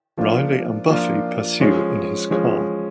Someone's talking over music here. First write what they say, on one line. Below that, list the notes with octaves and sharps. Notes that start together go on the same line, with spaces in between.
Riley and Buffy pursue in his car.
F3 A#3 D4 F4
F3 A#3 D4 F4
F3 G#3 C#4
F3 G#3 C#4